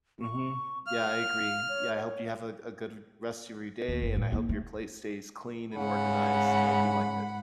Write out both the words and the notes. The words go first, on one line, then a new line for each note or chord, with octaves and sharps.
Mhm. Yeah, I agree. Yeah, I hope you have a g a good v rest of your day, and I hope your place stays clean and organized like you like it.
C#6
F5 F6
C#5
D#2
F#1
A2
A#3 E4
A3
G#2 C#3 F#5 B5